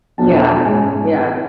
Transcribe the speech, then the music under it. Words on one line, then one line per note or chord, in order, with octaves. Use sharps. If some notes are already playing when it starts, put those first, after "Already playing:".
Yeah. Yeah.
E2 B2 A3 D4 A5
A5
G#2 G#3 C#4 G#5